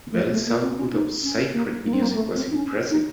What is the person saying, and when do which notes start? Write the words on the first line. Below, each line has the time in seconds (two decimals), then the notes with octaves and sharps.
Belli's output of sacred music was impressive.
0.11 A3
0.32 A3
0.47 A#3
0.63 C4
0.77 C#4
0.93 D#4
1.23 C#4
1.53 A#3
1.84 A#3
1.93 C4
2.02 A#3
2.14 A3
2.35 C4
2.51 D#4
2.55 C#4
2.91 D#4